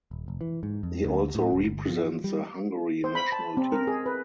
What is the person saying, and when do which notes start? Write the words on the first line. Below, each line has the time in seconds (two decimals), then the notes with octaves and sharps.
He also represents the Hungary national team.
0.11 D#1
0.28 F1
0.41 E3
0.63 G#2
0.83 F2
1.05 D2
1.35 A2
1.53 D#1
1.65 G1
1.90 F3
2.24 G3
3.04 C5
3.15 B5
3.32 A5
3.57 C4
3.72 A#4
3.87 G#4
4.06 B4